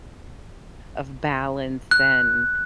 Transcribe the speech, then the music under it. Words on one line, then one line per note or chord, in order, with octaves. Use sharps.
of balance and
F#6